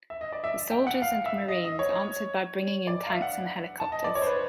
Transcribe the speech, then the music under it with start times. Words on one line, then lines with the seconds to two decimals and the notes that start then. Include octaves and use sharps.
The Soldiers and Marines answered by bringing in tanks and helicopters.
0.10 E5
0.21 D#5
0.33 D5
0.44 E5
0.72 G5
0.87 F#5
1.02 F5
1.26 E5
1.48 D#5
1.65 D#5
1.79 C#5
2.87 D5
3.07 F5
3.11 E5
3.22 F#5
3.80 A5
3.92 D#5
4.04 D5
4.15 C#5
4.22 C5
4.27 B4